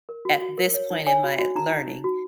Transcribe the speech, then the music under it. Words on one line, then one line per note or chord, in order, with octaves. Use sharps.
at this point in my learning,
A#4
F#4
F#4
A#4
C#5
D#4
C#5 G#5
F#4
F#4
D#4 A#5
D#4
D#4
F#4